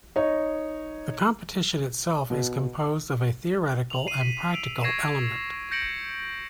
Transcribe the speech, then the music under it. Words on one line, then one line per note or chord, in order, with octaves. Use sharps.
The competition itself is composed of a theoretical and practical element.
D#4 C#5 D#5
B2
F7 F#7
C7 D#7
B6 F#7
E6 D7 F7
C#6 G#6 A#6 C7 D#7 E7
G6 A#6 C#7 D7 F#7